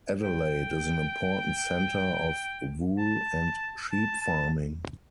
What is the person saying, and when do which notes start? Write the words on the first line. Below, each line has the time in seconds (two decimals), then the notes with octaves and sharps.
Adelaide is an important centre of wool and sheep farming.
0.24 G5
2.99 A5
3.91 A5
4.21 A5